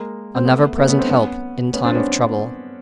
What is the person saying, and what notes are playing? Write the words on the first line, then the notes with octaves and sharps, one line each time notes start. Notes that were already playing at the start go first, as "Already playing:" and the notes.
A never present help in time of trouble.
Already playing: G#3 A#3
C4
A3 B3
A3 B3
B3 C#4
C4 D4
B3 C#4
B3 C#4
C4 D4
B3 C#4